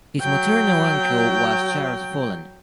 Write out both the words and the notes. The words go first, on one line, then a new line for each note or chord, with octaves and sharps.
His maternal uncle was Charles Follen.
F#3 G5